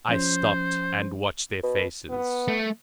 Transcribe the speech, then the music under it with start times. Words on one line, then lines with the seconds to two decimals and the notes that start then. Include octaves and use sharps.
I stopped and watched their faces.
0.09 F3 C#4 C5
1.63 B2
2.10 B3
2.48 A3